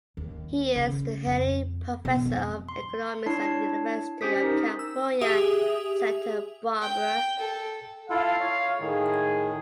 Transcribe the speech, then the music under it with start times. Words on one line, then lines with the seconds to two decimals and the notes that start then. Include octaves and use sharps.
He is the Henley Professor of Economics at the University of California, Santa Barbara.
0.17 D#2
0.76 C#3
1.26 F2
2.05 B2
2.26 F2
2.69 C6
3.26 D4 E4 C#5 A5 C7
4.21 C#4 G4 C5 D#6 B6
4.43 D#4 A#4
4.79 E6
5.21 G4 G#4 E5 D#6 F7
6.81 G5
7.39 A4
8.10 E4 F4 A4 F5
8.40 C#5
8.80 A2 D#3 G#4